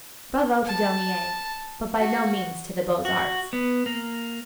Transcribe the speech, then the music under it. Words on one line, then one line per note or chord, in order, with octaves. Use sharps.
Bravo to Daumier, but by no means to the Beaux-Arts!
A5
F#4
F#4
B3
A#3